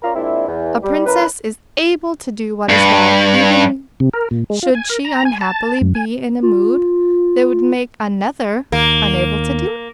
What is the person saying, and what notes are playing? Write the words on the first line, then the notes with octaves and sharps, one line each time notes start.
A princess is able to do what is right even should she unhappily be in a mood that would make another unable to do it.
C#4 F4 A#4 D5 A#5
A#2 G#3 C4 D4 E4
E2
G3
E3 C#4 A#4 B4
G2
C3
A#4
A#2
G#3
F4
G#5
A#4
A#5
G#5
A5
F#2
G#5
F4
D#2 A#3